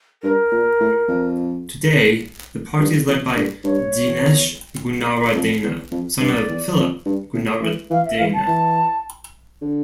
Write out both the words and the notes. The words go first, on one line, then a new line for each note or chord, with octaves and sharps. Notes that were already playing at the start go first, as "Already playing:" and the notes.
Today the party is led by Dinesh Gunawardena, son of Philip Gunawardena.
G2 A#4
A#2
A2
F2
G2
E2
G2
G2 C#5
E2
F2
E2
F2
G2 D5
E2
F2
G2
A2
E3
E3 F5
E5
E3 F5
A5
E3
D3